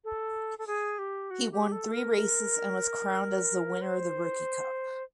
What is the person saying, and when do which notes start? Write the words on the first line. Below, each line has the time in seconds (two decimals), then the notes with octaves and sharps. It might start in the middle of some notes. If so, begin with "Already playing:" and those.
He won three races and was crowned as the winner of the rookie cup.
0.04 A4
0.59 A4
0.67 G#4
0.99 G4
1.31 F#4
1.52 G4
1.72 A4
1.93 A#4
3.82 C5